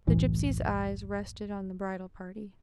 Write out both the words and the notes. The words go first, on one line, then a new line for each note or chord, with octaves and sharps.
The gipsy's eyes rested on the bridal party....
F#1 C2 A2 E3